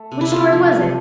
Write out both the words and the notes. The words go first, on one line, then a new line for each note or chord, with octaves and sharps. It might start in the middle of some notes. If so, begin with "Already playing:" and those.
"Which story was it?"
Already playing: A3
C3
E4
A3 F4
F3
C3